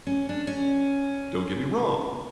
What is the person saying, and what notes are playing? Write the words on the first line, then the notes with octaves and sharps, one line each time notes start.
don't get me wrong,
C#4
D4
C#4